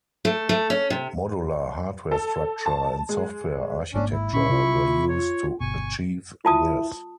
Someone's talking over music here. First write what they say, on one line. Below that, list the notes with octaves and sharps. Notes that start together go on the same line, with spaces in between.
Modular hardware structure and software architecture were used to achieve this.
A3
A3
C#4
C3
A4
A5
G#3
G#1 G#2 A#3 C#4 D4
E4
A#2 C#4 D4 E4 B5 C#6
C3 C4 C#4 F4
C#5
G1 B2 G#5 C#6
E4 F4 A5 D#6